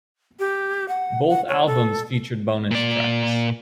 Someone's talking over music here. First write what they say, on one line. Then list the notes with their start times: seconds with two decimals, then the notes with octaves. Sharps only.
Both albums featured bonus tracks.
0.39 G4
0.88 F#5
1.29 F#5
1.48 C#5
1.67 A4
2.71 A#2 D5